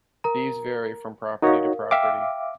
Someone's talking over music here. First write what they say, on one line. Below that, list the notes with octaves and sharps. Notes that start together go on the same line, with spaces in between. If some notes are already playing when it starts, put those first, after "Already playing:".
These vary from property to property.
A#4 A#5
D#4 F#4 A#4 C#5 F5
E5 F5 G5 D6